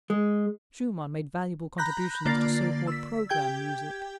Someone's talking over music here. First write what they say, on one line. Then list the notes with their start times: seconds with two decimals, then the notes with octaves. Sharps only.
Schumann made valuable contributions to so-called program music.
0.10 G#3
1.78 A#5 B5 F#6 G6 A#6
2.25 D3 A#3 F4 D5 A6 C7
2.87 E6 B6
3.29 G4 G5 G6 G#6